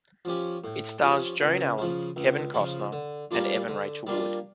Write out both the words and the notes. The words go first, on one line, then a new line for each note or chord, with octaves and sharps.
It stars Joan Allen, Kevin Costner and Evan Rachel Wood.
F3 C#4 G4
A2
F3 C#4 G4
C#2
C#3 F3
C#2
C#3 F3
D3
G3 A#3 D4 F4
D3
G3 A#3 D4 F4